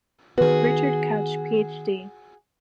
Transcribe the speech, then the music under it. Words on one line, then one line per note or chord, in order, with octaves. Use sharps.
Richard Couch, PhD.
D#3 B3 F#4 G#4 B4